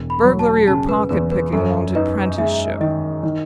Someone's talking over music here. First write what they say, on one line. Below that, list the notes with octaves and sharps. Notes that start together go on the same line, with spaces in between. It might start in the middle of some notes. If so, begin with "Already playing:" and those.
Burglary or pocket-picking wanted 'prenticeship.
Already playing: E1
B5
F#3
A5
C#3 A5
B4
E2 B4
B4
F#2 A4
D#4 B4
G#3 E5
D#3 D#5
D#3